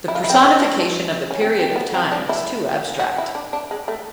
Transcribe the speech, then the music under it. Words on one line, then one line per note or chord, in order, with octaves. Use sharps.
The personification of a period of time is too abstract.
E4
F4
E4
C4
B3
C#4
D4
C#4
C4
C4
B3
C4
D4
E4
F#4
E4
D4
D4
G#3
A3